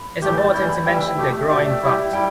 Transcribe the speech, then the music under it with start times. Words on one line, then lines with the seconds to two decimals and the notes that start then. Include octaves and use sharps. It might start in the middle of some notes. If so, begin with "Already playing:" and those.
It’s important to mention the groin vault.
Already playing: B5
0.22 A2 E3 A3 G4 G6
0.38 A6
0.53 E3 G3 E4 G6
0.69 B5
0.85 E3 G3 E4 G5
0.96 E5
1.07 E5
1.17 B2 A3 G4
1.49 B2 A3 G4 D5
1.65 E5
1.82 G3 E4 G4
2.13 G3 E4 G5